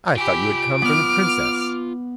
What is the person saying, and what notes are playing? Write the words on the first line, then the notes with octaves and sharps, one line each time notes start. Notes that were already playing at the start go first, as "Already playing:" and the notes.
'I thought you had come from the Princess.
F4 G4 G#5 B5 D7
B3 D6 F6